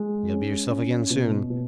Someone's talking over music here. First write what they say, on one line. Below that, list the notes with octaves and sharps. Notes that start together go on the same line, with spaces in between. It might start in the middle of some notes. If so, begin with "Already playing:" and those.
You'll be yourself again soon.
Already playing: G#3
C#4
C#4
B2
B2